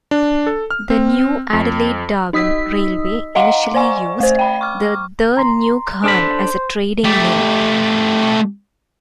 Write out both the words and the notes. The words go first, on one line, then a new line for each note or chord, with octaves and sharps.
The new Adelaide-Darwin railway initially used the "The New Ghan" as a trading name.
D4
A4
F6
C4
F2
D#4 D#5 D#6 E6 B6
D#5 F5 F#5 A#5 C6 D6
C5 D5 G#5 C#6
A3 C5
G5 B5
C#6 D6 F6
A#5 C6
D4 A4 C5 B5
A3 G4